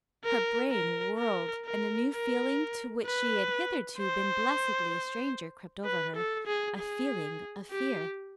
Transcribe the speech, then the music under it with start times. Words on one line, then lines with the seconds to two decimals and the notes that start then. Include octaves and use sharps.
Her brain whirled, and a new feeling to which she had hitherto been blessedly a stranger crept over her, a feeling of fear.
0.24 A#4
0.71 A#4
1.18 A#4
1.65 A#4
2.11 A#4
3.05 B4
3.98 C5
5.85 B4
6.16 A4
6.47 G#4
6.78 G#4
7.71 G4